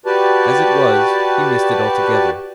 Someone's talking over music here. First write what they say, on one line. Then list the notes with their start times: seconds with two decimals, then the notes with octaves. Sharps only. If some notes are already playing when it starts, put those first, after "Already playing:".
As it was, he missed it altogether.
0.06 F#4 G4 B4 D5 A5